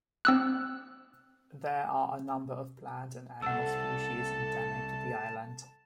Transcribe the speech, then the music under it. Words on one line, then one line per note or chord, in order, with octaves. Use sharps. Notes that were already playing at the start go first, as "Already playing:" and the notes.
There are a number of plant and animal species endemic to the island.
C4 E6 F#6
C2 A4 F#5 A5 E6